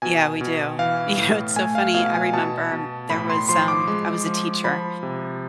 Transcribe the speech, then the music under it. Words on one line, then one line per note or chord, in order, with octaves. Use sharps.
Yeah, we do. You know, it's so funny, I remember there was, um I was a teacher
B2 G#5
B2
E3 F5
A2
A3 G#5
F5
B2 F5
G#5
B2 A5
B2
A2 B5
C6
F3 C6
D6
G#3 C6
F3
F3 B5
C3